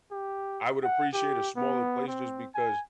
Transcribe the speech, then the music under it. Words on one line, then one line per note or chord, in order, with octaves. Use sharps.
I would appreciate a smaller place just because
G4
F#5
G4
B3
C4
G#5